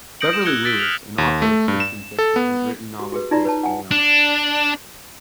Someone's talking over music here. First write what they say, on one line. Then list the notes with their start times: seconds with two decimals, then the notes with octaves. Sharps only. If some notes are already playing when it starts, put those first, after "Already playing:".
Beverly Lewis, an author of Christian fiction, has written novels based on the Amish.
0.21 D#6 G6 A#6 C#7 D7 F#7
0.33 E7
0.45 E6 F#6 G#6 C#7 G7
0.64 E6 A6 B6 D7 G7
0.78 F6 F#6 B6 F7 F#7
1.18 D#2
1.42 A3
1.68 G2
1.80 E7
2.19 A4
2.36 B3
3.00 F#4 G4
3.12 F#4 G#4 B4
3.31 D#4 F4 F#4 D5 A#5
3.45 B4 C#5 A5
3.63 F#5 G#5
3.91 D4